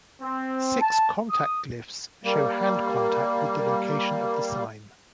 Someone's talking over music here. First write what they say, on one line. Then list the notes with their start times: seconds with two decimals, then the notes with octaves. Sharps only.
Six contact glyphs show hand contact with the location of the sign.
0.21 C4
0.81 A5
1.30 D#6
2.24 G3 A#3